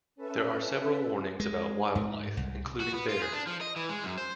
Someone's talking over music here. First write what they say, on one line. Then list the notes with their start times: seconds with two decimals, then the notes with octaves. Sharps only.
There are several warnings about wildlife including bears.
0.16 C#4 A4 B4 E5
1.40 G#3
1.95 G#2
2.37 C2
2.80 F#4
2.94 B3
3.09 F4
3.22 G#4
3.34 D4
3.47 F3
3.61 D#5
3.76 E3
3.89 G#3
4.04 F#2
4.18 C5